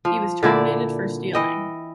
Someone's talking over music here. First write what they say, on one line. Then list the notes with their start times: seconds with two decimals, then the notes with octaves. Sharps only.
He was terminated for stealing.
0.05 F3
0.43 A#2 D3 E4 D5
1.33 E3 D#5 G5